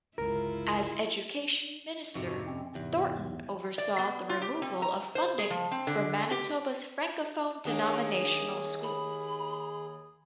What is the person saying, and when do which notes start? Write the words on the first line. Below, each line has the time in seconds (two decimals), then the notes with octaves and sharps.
As education minister, Thornton oversaw the removal of funding for Manitoba's francophone denominational schools.
0.18 G1 C#2 G#3 E4 F4 A#4
2.15 F2 G#2 C3 F#4
2.47 C4 C#4
2.75 E2 G#2 C3
3.78 D5
3.98 B3
4.29 F4
4.42 G4
4.62 C4
4.82 A#5
5.15 C5
5.38 G#4
5.50 F3
5.71 C4
5.87 D3
6.31 G4
7.65 D#2 A#3 D4 G#4
8.83 B5